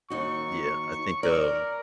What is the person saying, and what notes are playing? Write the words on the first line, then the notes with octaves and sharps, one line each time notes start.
Yeah, I think, um,
D#2 D#4 F#4 C#6
A#4 D5